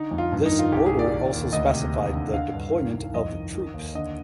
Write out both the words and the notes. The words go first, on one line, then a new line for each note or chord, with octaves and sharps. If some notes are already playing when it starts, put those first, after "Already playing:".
This order also specified the deployment of troops.
Already playing: D3 D#4
F2
F4
G2
D#4
D#3
F4
C2 G4
G#4
A#2
D5
D#3
D#2
D2 D#5
C3
D#2
D3
D3 F5
G2
D#3
C2
F2 D#5
D#3
D#3
D#2
D3 D#5